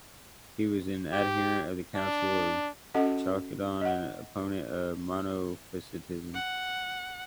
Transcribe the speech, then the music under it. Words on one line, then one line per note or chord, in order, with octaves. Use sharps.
He was an adherent of the Council of Chalcedon and opponent of Monophysitism.
G4
D4
C#4 F#4 A4 D#5 F#5
D#5 F#5
F#5